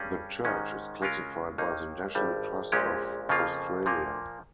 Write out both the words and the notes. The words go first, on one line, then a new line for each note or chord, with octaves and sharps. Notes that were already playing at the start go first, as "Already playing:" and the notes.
The church is classified by the National Trust of Australia.
Already playing: G2 G3 C#4 G#4
G#2 D#3 G#3 C#4
C#3 G#3 C#4 F4 A#4
D#2 D#3 A#3 D#4
G#1 G2 G3
A#1 A#2 G#3 C#4 G4
F2 C#3 F3 A#3 F4
A#2 F3 A#3